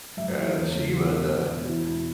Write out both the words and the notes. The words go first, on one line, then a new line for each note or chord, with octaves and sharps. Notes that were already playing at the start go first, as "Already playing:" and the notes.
And she would, uh
F#2 E5
B4
E3
A4
E2
C#3 E3
E2
B2
E2
B2
E2 E4
B2